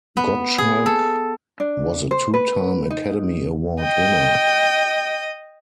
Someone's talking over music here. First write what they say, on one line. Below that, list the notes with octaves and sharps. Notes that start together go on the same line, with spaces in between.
Gottschalk was a two time Academy Award winner.
B3
G#4
A4
D4
C5
B4
D#4
D#5 G5